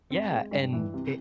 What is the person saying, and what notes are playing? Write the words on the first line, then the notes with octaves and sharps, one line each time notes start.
Yeah, and it
C4
G#3
G2
E3
C3